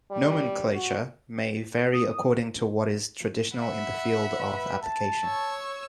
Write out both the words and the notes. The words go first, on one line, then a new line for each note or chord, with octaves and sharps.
Nomenclature may vary according to what is traditional in the field of application.
G3
F#4
D#6
E5 F#5 B5
B4
A5
C#5 C#6 E6